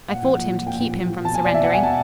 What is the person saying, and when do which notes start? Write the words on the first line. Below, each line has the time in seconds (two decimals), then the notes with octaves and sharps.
I fought him to keep him from surrendering.
0.08 A#2 F#5
0.23 F3
0.38 A#2
0.52 F3
0.67 A#2 G5
0.82 F3
0.96 A#2
1.10 F3
1.25 B2 A5
1.35 G#5
1.44 D5
1.54 B2 E5
1.64 F#5
1.74 G#5
1.83 B2 A5